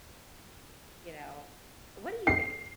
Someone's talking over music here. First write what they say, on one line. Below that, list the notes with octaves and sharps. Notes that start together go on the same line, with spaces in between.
You know? What do you think?
C7